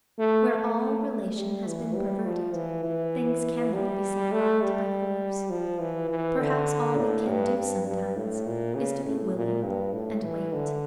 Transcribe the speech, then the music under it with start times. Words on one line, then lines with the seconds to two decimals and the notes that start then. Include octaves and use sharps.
Where all relation has been perverted, things can not be set right by force. Perhaps all we can do sometimes is to be willing and wait.
0.18 A3
0.48 A3
0.78 A3
1.08 A3
1.37 G3
1.66 E3
1.96 G3
2.25 F3
2.55 E3
2.84 E3
3.73 G3
4.32 A3
4.61 G3
5.50 F3
5.80 E3
6.10 E3
6.39 D3
6.98 A2
7.27 G2
7.57 G2
7.87 G2
8.16 A2
8.46 A#2
8.75 C#3
9.05 A2
9.35 A#2
9.64 G2
9.93 A2
10.23 E3
10.53 D3